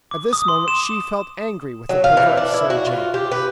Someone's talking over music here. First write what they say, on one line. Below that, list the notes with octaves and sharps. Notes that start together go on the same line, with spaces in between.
At this moment she felt angry with the perverse Sir James.
D6
D#6
C6
E7
F#3
F4
E3
D4
E4
F#4
F4
G4
B4